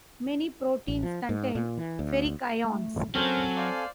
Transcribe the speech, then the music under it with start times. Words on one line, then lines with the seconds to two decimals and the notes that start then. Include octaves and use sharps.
Many proteins contain ferric ions.
0.88 A1
1.03 F3
1.29 G#2
1.55 A#2
1.78 E3
1.99 D2
2.65 A3
3.15 F#3 C4 C#4 A4 A#4 C5 G#5
3.56 C5 D5 F5